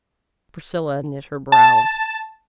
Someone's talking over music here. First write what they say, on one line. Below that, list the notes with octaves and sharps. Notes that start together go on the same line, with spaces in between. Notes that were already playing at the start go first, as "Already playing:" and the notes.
Priscilla knit her brows.
A5